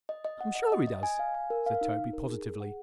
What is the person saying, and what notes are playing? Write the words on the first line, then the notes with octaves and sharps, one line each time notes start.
"I'm sure he does," said Toby, positively.
D#5
D#5
F#5
D#5
D#5
D#5
G#5
F5
G#5
A#4
F5
D#4
D#4
A#4
G#4
G#4
F#5